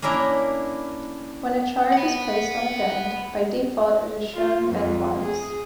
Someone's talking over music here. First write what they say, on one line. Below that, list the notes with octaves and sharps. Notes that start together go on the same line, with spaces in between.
When a charge is placed on a bend, by default it is shown bendwise.
A#3 C#4 D4 E4 A#4
F#5 B5
F4
F2
G#4